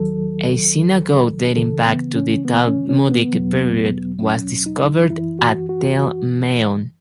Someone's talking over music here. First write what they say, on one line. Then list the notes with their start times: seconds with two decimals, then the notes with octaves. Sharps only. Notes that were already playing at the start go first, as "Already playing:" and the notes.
A synagogue dating back to the Talmudic period was discovered at Tell Maon.
Already playing: D#2 D#3 F#3 A4
1.56 C#2 C#3 E3 A4
1.86 B3
2.16 C#4
2.45 B3
2.68 C#4
2.89 C#4
3.11 B3
3.33 E2 B2 F#3
4.22 C#4
4.66 D#4
5.10 F#2 E3 E4
5.39 F#4
5.69 F#4
5.98 F#4